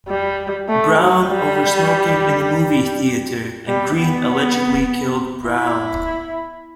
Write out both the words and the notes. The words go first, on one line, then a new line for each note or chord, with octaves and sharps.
Brown over smoking in the movie theater, and Green allegedly killed Brown.
G3
A3
F#3
G3
G3
B3
E4